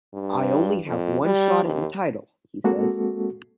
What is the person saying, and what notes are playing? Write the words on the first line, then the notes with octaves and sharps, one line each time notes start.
"I only have one shot at the title," he says.
G2
F2
G3
D#2
G#3 A#3 C4 F#4 A4